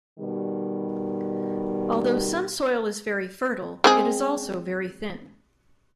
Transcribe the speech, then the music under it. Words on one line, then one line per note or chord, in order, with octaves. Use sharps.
Although some soil is very fertile, it is also very thin.
B2 D#3 G3
G#3 C4 G#4